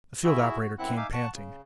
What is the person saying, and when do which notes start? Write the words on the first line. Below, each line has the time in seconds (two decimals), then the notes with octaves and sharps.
The field operator came panting.
0.24 E4 F#4 G#4 E5
0.60 F#4
0.78 F#2 C4 E4 F#5 F#6
0.97 D#4 E5 F5 G#5 D6
1.13 F#5 A5 C#6
1.34 C#3